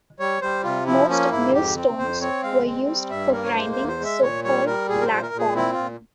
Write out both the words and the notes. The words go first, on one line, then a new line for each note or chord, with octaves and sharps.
Most millstones were used for grinding so called "black corn".
G3 C#5
G3 C5
C3 F4
F3 E4
A#3 C#4
G#2 E4
F2 G4
C4
F2 C5
C4 C#5
G#3 F5
C4
G3
G2 E5
A#3 A#4
C#5
G#3 C5
C5
E2
C5
G#3 E5
A#2 C#5
G3 C#5
G3 A#4
A#2 G#4
A#4
C5
A#2
A#4
A#2
G#4
C4 E4
F4
A#2